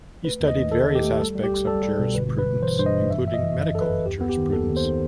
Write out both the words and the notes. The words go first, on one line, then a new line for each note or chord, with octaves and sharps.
He studied various aspects of Jurisprudence including Medical jurisprudence.
A3 B4
D#2
D#5
D#3
D#2 A4
D#2
G4
A3
G3 A4
G3
G4
C2
G3 A4
G3
B2
G1 B4
G1
B4
G2
E3 C5
G2 C5
D#5
E3
F#2 E5
G1 E5
D#5
E3
F#2
G1 A4
B4
F#2
D#2 G4
B3
G4
D#3
D#2 A4
D#2
C5
D#3